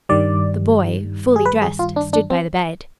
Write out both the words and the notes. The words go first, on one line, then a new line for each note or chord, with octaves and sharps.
The boy, fully dressed, stood by the bed.
G2 D#3 G3 D5
G#4
B4
G#4
F4
D4
D4
C4